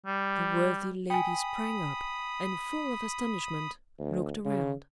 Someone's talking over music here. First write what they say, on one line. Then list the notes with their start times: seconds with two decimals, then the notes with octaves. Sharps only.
The worthy lady sprang up, and full of astonishment looked around.
0.06 G3
1.10 G5 G#5 B5 D#6
3.99 D2
4.45 C#3